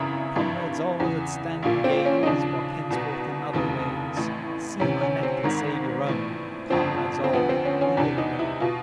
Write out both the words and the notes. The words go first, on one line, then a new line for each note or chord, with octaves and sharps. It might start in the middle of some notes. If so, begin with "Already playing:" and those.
"Comrades all, that stand and gaze, Walk henceforth in other ways; See my neck and save your own: Comrades all, leave ill alone."
Already playing: G#1 F#2 C#3 E3 E4
G#1 G2 E3
E2 C#3 E3
A#1 A#2 F3 F4
C4
C#4
D#4
D#2 C#3 F3 D4
C2 B2
F1 D#2 C#3 E3
A1 A2 E3
D2 C3 E3 C#4
C#4
C4
G#1 G#2 D#3
A#1 A2 E3
G1 F2 D3 F3 C4
C4
D2 D3 F3 B3
C4
C#4
C#4
E2 C3 E3 D4
D#4
E4
B2 F4